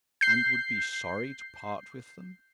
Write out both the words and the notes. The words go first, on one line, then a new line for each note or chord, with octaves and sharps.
"And would be sorry to part with them?"
G6 C7